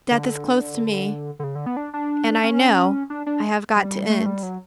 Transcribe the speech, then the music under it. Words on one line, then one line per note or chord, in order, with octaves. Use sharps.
Death is close to me, and I know I have got to end.
D3
D3
C#3
D3
B3
D4
D4
C#4
D4
D4
G3
A3
G3
F#3